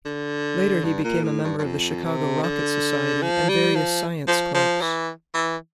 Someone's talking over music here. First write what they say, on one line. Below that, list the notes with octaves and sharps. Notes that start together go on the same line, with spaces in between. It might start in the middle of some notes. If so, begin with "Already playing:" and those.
Later he became a member of the Chicago Rocket Society and various science clubs.
D3
G2
A#2
A2
G2
G2
F2
C3
D3
F3
G3
F3
F3
F3
E3
E3